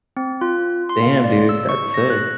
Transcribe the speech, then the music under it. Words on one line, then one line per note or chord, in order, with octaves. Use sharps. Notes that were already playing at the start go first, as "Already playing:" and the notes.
Damn, dude, that's sick.
C4
F4
C6
F5
D5
E6
C#6
A#6
F#6